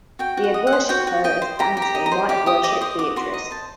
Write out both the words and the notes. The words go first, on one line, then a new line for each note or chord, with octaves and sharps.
He had worshiped her, as Dante might have worshiped Beatrice.
F#4 G5
F#4
F#5
D#5
F#5
C5
F#4 G5
F#4
D#5 G5
C5
G4 A#5
G4
A#5
D#5
A#5
C5
G4 D6
G4 D#6
D#5 D6
C5 D#6
F#4 D6
F#4 C6
D#5 A#5
C5 A5